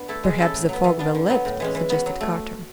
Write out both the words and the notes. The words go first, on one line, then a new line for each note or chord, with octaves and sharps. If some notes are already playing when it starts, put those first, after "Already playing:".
"Perhaps the fog will lift?" suggested Carter.
Already playing: B3 D4
A3 E4 A4
G#3
C#4 E4 A4
A2
F#3 B3
E3
B3 D4
D3
F#3 B3
A2
E3 G#3 C#4
E3
B3 F#4
F#3
A3